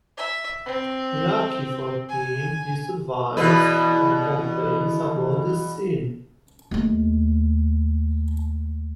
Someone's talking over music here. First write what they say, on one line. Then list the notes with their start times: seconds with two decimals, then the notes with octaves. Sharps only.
Lucky for him, he survives and complains about the scene.
0.17 E5
0.66 C4
2.09 G#5
3.37 E2 B2 B4
6.71 D#2 A3